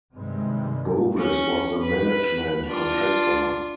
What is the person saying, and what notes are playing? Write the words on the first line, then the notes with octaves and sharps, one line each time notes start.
Bovis was the management contractor.
G2 C3 D#3 G3 G#3
C#4
B4 B5
D4 F4